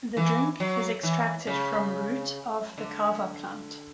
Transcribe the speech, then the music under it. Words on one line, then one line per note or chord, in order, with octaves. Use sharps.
The drink is extracted from root of the kava plant.
E3
F#3
E3
C#3
D3